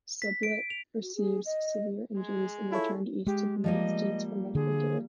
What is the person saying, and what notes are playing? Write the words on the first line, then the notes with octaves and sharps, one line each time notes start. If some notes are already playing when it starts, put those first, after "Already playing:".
Sublette receives severe injuries and returned east to the United States for medical care.
B6
D7
F7
F#4
G#4
D#5
G#3
E4 F4 A4 C#5
G#3 G4
F3 G3 A#3 D#5
D3 G#4